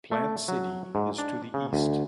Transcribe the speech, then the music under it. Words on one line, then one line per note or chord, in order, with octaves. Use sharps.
Plant City is to the east.
A3
F#3
G#2
D4
C#3
D2